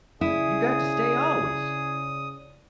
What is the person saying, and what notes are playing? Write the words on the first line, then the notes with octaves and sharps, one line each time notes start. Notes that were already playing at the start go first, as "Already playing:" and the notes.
You got to stay always.
C#3 E4 G#4 D5 D#6